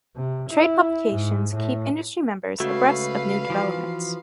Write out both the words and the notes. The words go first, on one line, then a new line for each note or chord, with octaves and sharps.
Trade publications keep industry members abreast of new developments.
C3
E4
G#2
A2
C#2 C#3 A3 F#4 B4 F5
E3 F3